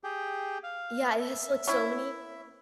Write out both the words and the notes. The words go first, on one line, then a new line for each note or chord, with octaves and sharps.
Yeah, it has, like, so many
G4 G#4 G5
F5
E5
C#4 E4